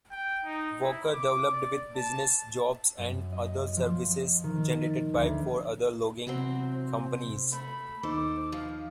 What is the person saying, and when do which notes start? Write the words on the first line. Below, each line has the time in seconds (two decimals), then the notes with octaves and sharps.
Walker developed with business, jobs and other services generated by four other logging companies.
0.12 G5
0.44 D#4
0.82 E4
1.14 D6
1.53 D5
1.96 A5
2.98 F#2
3.32 D#5
3.77 F3
4.10 D#5
4.44 D#3
4.90 A6
5.14 D2
6.27 C3 E3 F#3 C4
6.72 C5
7.52 A3 B5
8.03 D#2 D#4 A4 C5 D6
8.52 F3 F5